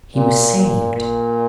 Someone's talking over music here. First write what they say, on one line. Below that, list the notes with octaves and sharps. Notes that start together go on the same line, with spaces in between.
He was saved.
A#2
A#2
A#2